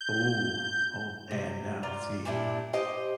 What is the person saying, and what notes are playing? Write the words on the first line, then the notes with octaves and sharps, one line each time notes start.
Ooh, oh man, now, see
G6
C3
F4 D5 A#5
A#2 G3 D4 E4
G4 C5 D#5 G5